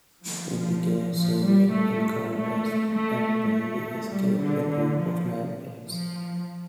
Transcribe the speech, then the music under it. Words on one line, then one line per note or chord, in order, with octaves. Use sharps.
In the cave, Severian encounters and barely escapes a group of man-apes.
F3
F3
G3
A3
A3
A3
A3
G3
D3
D3
F3
F3